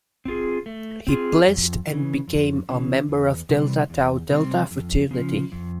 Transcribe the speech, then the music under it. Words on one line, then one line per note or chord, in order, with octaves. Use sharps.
He pledged and became a member of the Delta Tau Delta fraternity.
C4 F4 G#4
A3
C4 F4 G#4
F2
C#3 E3
F2
C#3 E3
E2
C3 E3 G3 C4
E2
C3 E3 G3 C4
F2
C#3 F3
F2